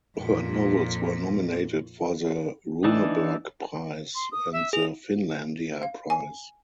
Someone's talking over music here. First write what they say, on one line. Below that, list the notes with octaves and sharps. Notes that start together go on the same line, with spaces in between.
Her novels were nominated for the Runeberg Prize and the Finlandia Prize.
F2 A#2
E3 D4 D#4
C6
D#6
E5
G#4 F7
F5
G#5